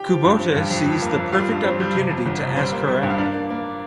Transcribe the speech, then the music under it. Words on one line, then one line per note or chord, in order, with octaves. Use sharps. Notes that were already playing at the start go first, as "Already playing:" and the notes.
Kubota sees the perfect opportunity to ask her out.
Already playing: G4 G5
F3
G2
C4
G2
F2
F2
A#3
F2
G3 F4 F5
G2
C4
G3
C3
F2
G1
C3
G3 C4 C5
A#3
G3
G2
F5
A#3 D4 D5
A#3
A#3